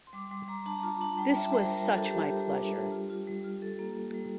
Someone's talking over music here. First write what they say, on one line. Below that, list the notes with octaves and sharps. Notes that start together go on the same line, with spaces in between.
This was such my pleasure.
C6
G3 D6
G3 C6
G3 A#5
D4 A5
A#5
F4 A5
D4 A5
G3 G5
F4 E5
G3 C5
G3 A#4
F4 A4
G3 G4
F4
G3
D4
G3
F4
F4
G3
F4
G3 A4
A#3
A#3
G3